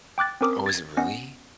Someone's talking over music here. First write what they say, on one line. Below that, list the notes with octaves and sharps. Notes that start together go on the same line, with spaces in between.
Oh, is it really?
G5 D6 F#6 A6
C4 C#4 A#4 D6 D#6
G#6 A6
B3 C#4 D#5 F#5